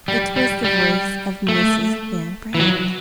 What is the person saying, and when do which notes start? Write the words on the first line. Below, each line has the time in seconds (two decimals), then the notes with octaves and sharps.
It was the voice of Mrs. Van Brandt.
0.08 G3
0.36 G3
0.64 G3
1.49 A3
2.55 E3
2.60 F#3